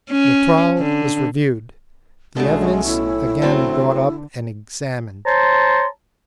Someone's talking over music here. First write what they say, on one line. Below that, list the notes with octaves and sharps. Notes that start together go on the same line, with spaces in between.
The trial was reviewed; the evidence again brought up and examined.
C#4
D3
B1 B2 D3 G#3 A3 C#4
A2 E4
D3 F#3 A3 C4
C5 C#5 A5 A#5 C6